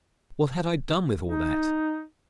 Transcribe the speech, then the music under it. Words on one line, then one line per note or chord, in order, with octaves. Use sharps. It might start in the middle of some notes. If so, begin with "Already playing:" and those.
What had I done with all that?
D#4